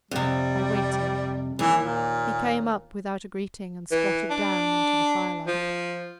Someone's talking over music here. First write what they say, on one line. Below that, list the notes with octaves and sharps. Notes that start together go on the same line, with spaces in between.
I waited. He came up without a greeting and squatted down into the firelight.
F2 C3 G3
D#2 E3
A#2
E3
D4
F3